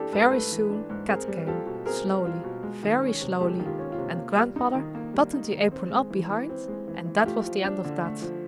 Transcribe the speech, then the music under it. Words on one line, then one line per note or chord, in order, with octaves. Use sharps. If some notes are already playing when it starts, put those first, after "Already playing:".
Very soon Kat came slowly--very slowly--and Grandmother buttoned the apron up behind, and that was the end of that.
Already playing: E3 D4 G4 A4
G#2 A4 B4
A3 A4 B4
E3
D4
G#2
C4 G#4 A#4
G3
F4 G4 A4
B2
C4 G#4 A#4
G3
F4
B2
G#3
D#3
C#4
C3
G#3 G4 A4
D#3
F4 G4
C#4
F4
C3
A#3
G3
D#4
D#3
A#3
G3
D#4
D#3
C4
G#3
E3
E3
C4
G#3
E3
E3
A3 F4 G4
F3
D4
D3
A3
F3